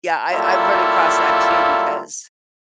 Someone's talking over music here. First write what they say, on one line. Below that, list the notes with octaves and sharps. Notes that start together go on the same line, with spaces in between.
Yeah, I I've run across that too because,
F#3 G3 A#3 E4 F4 A4